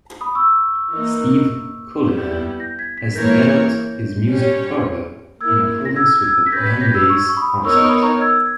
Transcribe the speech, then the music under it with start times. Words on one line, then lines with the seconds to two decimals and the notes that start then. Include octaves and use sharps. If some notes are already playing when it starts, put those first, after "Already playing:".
Steve Coleman has developed his music further in accordance with the M-Base concept.
0.21 B5 D#6
0.35 C#6 E6
0.92 E3 A#3 D#4 A#4
2.04 G3 B3 E4 G4
2.60 G6 A#6
2.79 G#6 B6
2.97 G#6 B6
3.12 B6
3.15 E3 A#3 E4 A#4 C#5 G6 A#6
4.29 G3 C#4 G4 C#5
5.40 A#3 E4 A#4 E6 G#6
5.85 A#6
5.96 E6 G#6
6.24 E6 G#6
6.46 B6
6.52 C#4 G4 B4 G6 A#6
6.66 G#6 B6
6.80 G6 A#6
6.94 E6 G#6
7.09 C#6 E6
7.29 C#6
7.37 B5 D#6
7.65 B3 D#4 A#4 C#5 C#6 E6
7.76 C#6
7.84 B5 D#6
8.03 A#5 C#6
8.21 E6 G#6